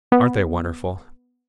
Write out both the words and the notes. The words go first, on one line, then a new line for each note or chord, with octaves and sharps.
"Aren't they wonderful?"
B3